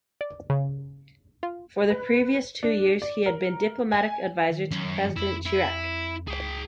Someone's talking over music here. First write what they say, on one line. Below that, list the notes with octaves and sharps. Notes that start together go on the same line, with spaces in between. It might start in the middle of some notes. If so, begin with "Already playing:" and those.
For the previous two years he had been diplomatic adviser to President Chirac.
D5
C#3
F4
B4
D4
D5
A#4
G#5
D#3
F#2 C#4
F2 E4
E4
C#2 G#4 G5